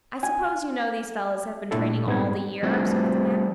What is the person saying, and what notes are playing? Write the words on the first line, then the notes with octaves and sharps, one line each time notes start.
"I suppose you know these fellows have been training all the year?" observed the man.
G#5
A#2 A3 D4 E4 A4
G#2 G3 B3 C4 D#4 G#6
F3 G3 A3 C4 D4 F#4